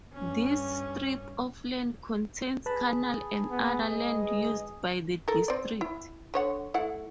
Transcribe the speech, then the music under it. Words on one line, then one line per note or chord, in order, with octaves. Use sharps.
This strip of land contains canals and other land used by the District.
G2 C#4
G#4 B4 A5 B5
B3
G#3 D#5
A4 A#4
C4 D5
E4
D3 C#5 F#5
A3 E4 F#5